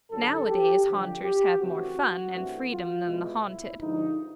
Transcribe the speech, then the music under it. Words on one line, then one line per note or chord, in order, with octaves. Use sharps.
Nowadays haunters have more fun and freedom than the haunted.
G2 D3 F#3 A4
G4
F2 D3 F3 G4
G4
C#3 E3 A3 C4 F#4
G2 E3 A3 C4
F4
E2 B2 G#3 E4
G2 D3 F3 G#3 D#4